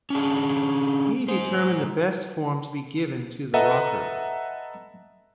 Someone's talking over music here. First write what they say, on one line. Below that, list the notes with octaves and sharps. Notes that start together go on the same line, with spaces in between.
He determined the best form to be given to the rocker.
C#4 D4 G#4
G#3 C5
A4 B4 D#5 E5 F#5 A#5